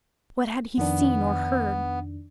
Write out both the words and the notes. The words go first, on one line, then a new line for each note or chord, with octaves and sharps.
What had he seen or heard?
F2 D#3 B3 D4